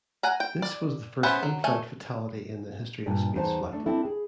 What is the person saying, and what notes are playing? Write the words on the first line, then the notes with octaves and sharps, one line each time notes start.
This was the first in-flight fatality in the history of spaceflight.
F#5 G#5 A#5
G5
D5
B3 C#4 B4 C5 E5
F#3
A3 G#5
G2 A#2 D4
E2 D#4 C5 G#5 A5
A3 D4
C4 D4 E4 A4
G#4